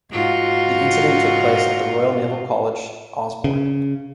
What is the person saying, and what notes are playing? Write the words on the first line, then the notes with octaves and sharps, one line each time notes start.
The incident took place at the Royal Naval College, Osborne.
G#2 F4 F#4
C#3